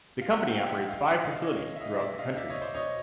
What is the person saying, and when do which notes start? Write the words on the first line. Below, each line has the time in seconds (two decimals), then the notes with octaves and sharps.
The company operates five facilities throughout the country.
0.21 F5
0.35 F#5
0.50 A#2 F3 F5 G5
0.68 E5 F#5
0.88 D#5 F5
1.06 D5 E5
1.25 C3 D#3 D#5 F5
1.43 C#5 D#5
1.75 E5
1.80 D#5 F5
1.93 D#5
1.99 B2 D5 E5
2.18 D#5 F5
2.37 D5 E5
2.50 C#5 D#5
2.62 C5 D5
2.74 B2 C#5 D#5